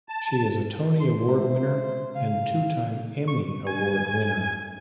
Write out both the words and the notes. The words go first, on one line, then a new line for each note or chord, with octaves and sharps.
She is a Tony Award winner and two-time Emmy Award winner.
A5
C6
G#3 C5 E5 A#5
C#3 F5
C#6
G#5